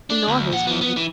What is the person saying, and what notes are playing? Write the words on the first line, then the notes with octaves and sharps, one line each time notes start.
In all his movie,
D4
D2
A#2 F#5
E3 B3
B3
E3